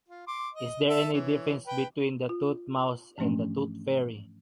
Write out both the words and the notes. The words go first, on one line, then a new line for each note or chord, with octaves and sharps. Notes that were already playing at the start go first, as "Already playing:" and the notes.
Is there any difference between the tooth mouse and the tooth fairy?
F4
C6 D6
D#5
A4 E5
E3 C#5
B4 G5
F4
G#2 E3 F3 A3 C#4 D4